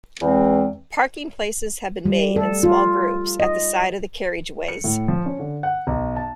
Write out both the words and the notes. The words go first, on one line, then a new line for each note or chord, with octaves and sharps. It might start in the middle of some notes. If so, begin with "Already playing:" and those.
Parking places have been made, in small groups, at the side of the carriageways.
E2 E3 G#3 C4
G3
A4
F4
D#5
C#7
A2
F3
C#4
D3
F#5
B1
A5